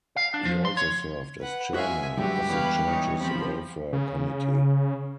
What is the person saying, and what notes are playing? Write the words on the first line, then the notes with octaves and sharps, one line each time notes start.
He also served as chairman of the church's Welfare Committee.
F5
D4
F3
C6
C#5
B4 F#5
G#3 F#4 C#5 E5 F5 G#5
F#2 D3 E3 G3 G#3 F#4 G4
E2 B4 C#5 F5
E3 D#4 C#5
F3 C4 G4 B5
C#3